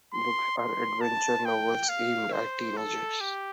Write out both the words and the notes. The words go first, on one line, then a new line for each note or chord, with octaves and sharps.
The books are adventure novels aimed at teenagers.
C6
C6
A5
G5
F5
C5
A4
G4